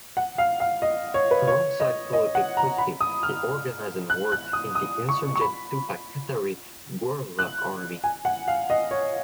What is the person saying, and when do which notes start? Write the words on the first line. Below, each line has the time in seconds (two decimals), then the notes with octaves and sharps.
Alongside Felipe Quispe, he organized and worked in the insurgent Tupac Katari Guerrilla Army.
0.17 F#5
0.38 F5
0.60 F5
0.82 D#5
1.14 C#5
1.31 B4
1.47 C#5
1.80 D#5
2.13 D#5
2.35 F#5
2.57 A#5
2.78 B5
3.01 D#6
3.23 F6
4.10 F#6
4.32 F#6
4.53 D#6
4.75 D#6
5.09 C#6
5.36 C#6
5.41 B5
7.39 F#6
8.04 G#5
8.25 F#5
8.48 F5
8.70 D#5
8.91 C#5